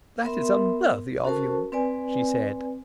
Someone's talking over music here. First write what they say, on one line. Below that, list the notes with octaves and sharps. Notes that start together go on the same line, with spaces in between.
"That is unworthy of you," she said.
B3 A#4 E5 C6
C#4 F#4 A4 A#4 C5 A5
C4 B4 D5 G#5